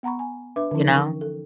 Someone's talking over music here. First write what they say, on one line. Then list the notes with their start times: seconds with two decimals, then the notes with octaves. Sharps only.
you know?
0.03 B3 F#5 A#5 B5 C#6
0.19 G#5
0.56 D4 B4 E5 D6
0.71 D3 E3 F3 C#4 D#4
0.89 A#4 G5 C#6
1.21 A4